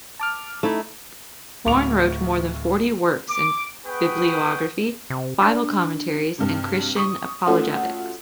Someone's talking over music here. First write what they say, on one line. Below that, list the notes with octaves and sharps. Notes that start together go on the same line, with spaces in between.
Horne wrote more than forty works in bibliography, Bible commentaries, and Christian apologetics.
A5 D6 F6
A3 D#4 E4
D1 D2 C#6 D6 F7
D6
B3 G#4 B4 G5 C#6 D#6
C3
D4
G2 C3
C#6 D#6
A3 C#4 F4 F#4 A4